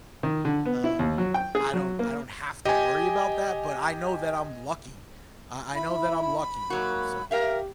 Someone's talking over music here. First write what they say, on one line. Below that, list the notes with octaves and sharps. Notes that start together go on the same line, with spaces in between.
um, I don't I don't have to worry about that, but I know that I'm lucky, I I know that I'm lucky, so
D#3
D3
B3
E4
D#2
F#3
G5
G#4
F#3
A#3
G4 D#5 G#5
E4 B5
G#2 F#3 A#3 F#4
G4 A#4 E5 F5 G5